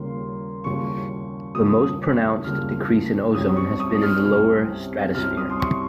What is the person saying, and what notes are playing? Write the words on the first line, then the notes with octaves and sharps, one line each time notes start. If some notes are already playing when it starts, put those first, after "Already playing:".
The most-pronounced decrease in ozone has been in the lower stratosphere.
Already playing: D#2 C#3 G3 A#3 F4 C6
D#2 C#3 G3 A#3 F4 C#6
D#2 C#3 G3 A#3 F4 D#6
D#2 C#3 G3 A#3 F4 F6
C2 C3 G3 C#4 D#6
C#6
D#6
F6
C2 C3 G3 C#4 F6
C2 C3 G3 C#4 F6
D#6
C6
C#6